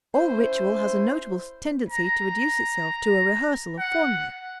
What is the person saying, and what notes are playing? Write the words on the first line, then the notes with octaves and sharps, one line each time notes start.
All ritual has a notable tendency to reduce itself to a rehearsal of formulas.
C#4 E4 C5
A#5
F#5